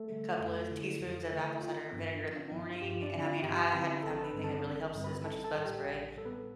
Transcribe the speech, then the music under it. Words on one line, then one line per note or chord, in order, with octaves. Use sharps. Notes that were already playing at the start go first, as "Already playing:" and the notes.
couple of teaspoons of apple cider vinegar in the morning, and I mean, I hadn't found anything that really helps as much as bug spray.
Already playing: A3 A4
D3 G3
F2
D3 A3 E4
F2
D3 A3 E4
G1 F4
G2 F3 B3 D4
G1
G2 F3 B3 D4
F4
G2 G4
D4 D5
D3 F3 C4 E4
F4 F5
G2 G4 G5
D3 F3 C4 E4 B4 B5
A1 A4 A5
A5
B4 B5
G2 D3 G3 C4
A4 A5
A1
G2 D3 G3 C4
B4 B5
A1 A4 A5
A4 A5
A2 G3
G4 G5
A1
A2 G3 A4
B3 B4